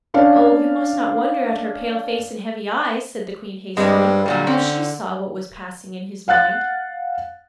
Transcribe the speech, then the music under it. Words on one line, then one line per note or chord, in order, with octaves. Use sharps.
'Oh, you must not wonder at her pale face and heavy eyes,' said the queen hastily, for she saw what was passing in his mind.
C#4 D4 F5
G2 G3 G#3 C4 G4
A#2 D3 F#3 G3
C4 C#4
F5 F#5 F#6 A6